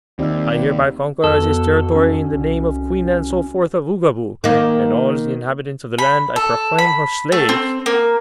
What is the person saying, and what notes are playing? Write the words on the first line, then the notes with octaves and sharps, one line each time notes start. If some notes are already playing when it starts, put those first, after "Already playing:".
"I hereby conquer this territory in the name of Queen Ann Soforth of Oogaboo, and all the inhabitants of the land I proclaim her slaves!"
D#2 G3 C4 D#4 E5
F2 B2 A4
C#4
C2
D#3 A#3
B5
A4
B5
A3
C4
A#3